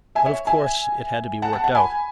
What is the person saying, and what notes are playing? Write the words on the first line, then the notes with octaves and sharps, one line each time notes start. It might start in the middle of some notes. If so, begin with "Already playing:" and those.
But of course it had to be worked out.
E5 G#5
C#5 E5
E5 G#5
F#5 A5
F#5 A5
F#5 A5
G#5 B5